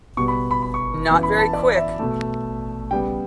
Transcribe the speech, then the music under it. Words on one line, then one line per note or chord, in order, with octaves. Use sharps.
Not very Quick.
B2 G3 B3 C#6
B5
B5
B5
C#6
F#2 E3 B3
B5
A5
D5
E5
B2 A3
C#3 G3 B3 G5